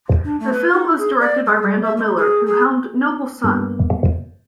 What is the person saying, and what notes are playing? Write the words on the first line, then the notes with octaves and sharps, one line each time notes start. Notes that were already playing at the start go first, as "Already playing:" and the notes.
The film was directed by Randall Miller, who helmed "Nobel Son".
D4
A3
B4
D#4
G#4
D5
G#3
G3
E5
G#3
G#4
G#4
G2 A#3 B3